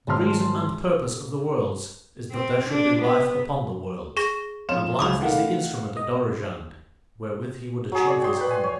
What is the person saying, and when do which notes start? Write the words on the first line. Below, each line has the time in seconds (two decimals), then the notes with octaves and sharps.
The reason and purpose of the Worlds is that there should be Life upon the Worlds, and Life is the instrument of Dorozhand wherewith he would achieve his end.
0.07 G#1 G#3 C#4 A5 C6 F6
2.32 C4
2.69 D4
3.01 B3
4.17 G#4 C#6 A#6
4.69 F2 C#4 F4 E7
4.99 C#2 B5 D6 D#6
5.22 D#3 A3 F5 F#5
5.97 D#5
7.92 F#3 G#4
8.06 C#5 D5
8.22 G5 C6
8.37 B4 G5
8.51 G#5 C6
8.64 C#5